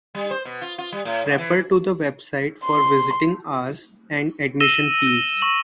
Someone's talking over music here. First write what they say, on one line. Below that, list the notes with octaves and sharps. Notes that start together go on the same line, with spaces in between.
Refer to the website for visiting hours and admission fees.
G3
C5
B2
F4
F4
G3
A2
G#2
E3
C6
E6 A#6 D#7 E7 G7
C#6 F#7